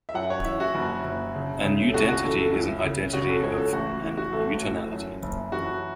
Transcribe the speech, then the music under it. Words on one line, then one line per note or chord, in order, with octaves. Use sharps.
"An udentity is an identity of an utonality".
E5
F#2 F#5
C#5
E3 E5
F#4
F#1
F#1
C#3
C#3
A4
C#2 F#4
F#4
E3 A4
A4
C#2 E4
C#3
C#3 F#4
A4
C#2 C#5
A4
A1 F#4
E3
F#4
A1 A4
A2
F#2
F#1
E3 F#4